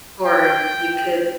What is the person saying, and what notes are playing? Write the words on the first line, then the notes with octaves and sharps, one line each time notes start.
Or you could
G5